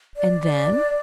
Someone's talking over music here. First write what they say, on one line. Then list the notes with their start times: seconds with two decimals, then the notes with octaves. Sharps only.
"And then?"
0.17 D5